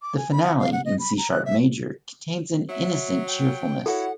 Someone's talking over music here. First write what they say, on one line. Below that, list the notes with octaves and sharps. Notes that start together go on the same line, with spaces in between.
The finale, in C-sharp major, contains an innocent cheerfulness.
D6
G#5
B5
F#5
F5
F#5
D#5
B5
A#5
F#6
E5
F#3 E5
G5
E4 F#4 A4 C#5 F#5